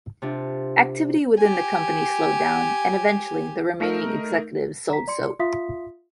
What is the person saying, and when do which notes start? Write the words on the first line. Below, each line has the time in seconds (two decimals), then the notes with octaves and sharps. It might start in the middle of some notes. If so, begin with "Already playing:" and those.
Activity within the company slowed down, and eventually, the remaining executives sold Soap.
0.22 C3 D4 F4
1.38 G4 G#5
3.80 A3 D#4 A#4
4.90 A#5 B6
5.07 D5 C6 C#7
5.39 F4 E5 F5 C6 D#6 B6